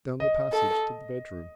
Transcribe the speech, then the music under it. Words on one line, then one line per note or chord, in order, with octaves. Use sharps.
Down the passage to the bedroom.
D#5
A4